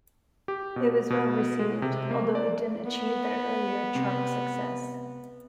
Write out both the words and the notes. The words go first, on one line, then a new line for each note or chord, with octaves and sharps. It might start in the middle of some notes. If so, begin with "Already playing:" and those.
It was well received, although it didn't achieve their earlier chart success.
G4
B2
B2
G#3
C3
A#3
D5
B3
C3